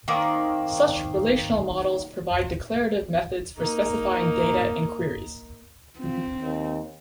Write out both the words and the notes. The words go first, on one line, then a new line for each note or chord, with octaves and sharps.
Such relational models provide declarative methods for specifying data and queries.
D#3 A#3 C4 D5
A#3 D#4
C4 F4
D#2